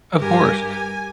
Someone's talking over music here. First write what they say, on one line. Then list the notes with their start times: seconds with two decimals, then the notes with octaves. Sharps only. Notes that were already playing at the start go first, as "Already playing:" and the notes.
Of course.
0.16 G2 G4 A#4 G#5
0.67 G#5